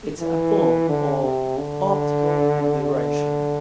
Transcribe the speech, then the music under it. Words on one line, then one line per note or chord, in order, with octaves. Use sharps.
It is a form of optical aberration.
E3
D3
C3
D3
D3